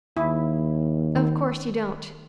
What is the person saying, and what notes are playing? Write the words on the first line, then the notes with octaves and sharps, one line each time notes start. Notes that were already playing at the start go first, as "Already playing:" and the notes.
Of course you don't.
D#2 E4
D#3